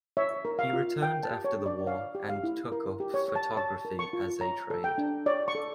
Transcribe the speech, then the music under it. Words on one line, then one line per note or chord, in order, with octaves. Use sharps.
He returned after the war and took up photography as a trade.
C#5 E5
A#4
F5
F4
A#4 G5
A5
G4
C#5
D4
D5
C#5 F5
G4
F5
E4
A#4
G4
C#5
C#5
A5
C#5 A5
A#4
C#6
F4
C#5 A#5
A4
G5
D4
C#5 D5
C#6
A4